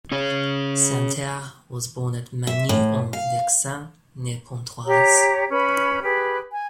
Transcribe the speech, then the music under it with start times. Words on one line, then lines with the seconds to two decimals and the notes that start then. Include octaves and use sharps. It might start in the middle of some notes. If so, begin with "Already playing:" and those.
Santerre was born at Magny-en-Vexin, near Pontoise.
0.12 C#4 G#4 C#5
2.47 E5
2.69 A2
3.13 F5
4.86 G4 C#5 A#5
5.50 C#4 B4 B5
6.03 G4 G#4 B4
6.49 G#5